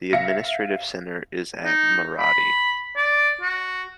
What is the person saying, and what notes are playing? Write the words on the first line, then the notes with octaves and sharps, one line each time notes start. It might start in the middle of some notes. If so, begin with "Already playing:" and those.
The administrative center is at Maradi.
E5 F5 A#6 C#7
D#4
B5
D5
F#4